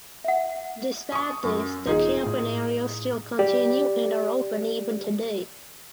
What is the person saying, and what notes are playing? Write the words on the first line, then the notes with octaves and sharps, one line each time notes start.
Despite this the camping areas still continue and are open even today.
E5 F#5
C#6 D#6
F#2
E1 D#4 F4 G#4
A2
G4 D5